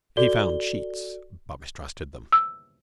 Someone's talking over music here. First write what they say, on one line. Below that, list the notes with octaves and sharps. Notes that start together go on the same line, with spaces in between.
He found sheets, but mistrusted them.
F#4 A4 D5 G7
E6